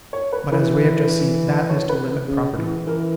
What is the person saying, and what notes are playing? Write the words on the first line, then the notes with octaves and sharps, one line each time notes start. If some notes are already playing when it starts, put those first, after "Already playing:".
But, as we have just seen, that is to limit property.
C#5
B4
E3 B4
C#5
B4
C#3
E3
E3 A#4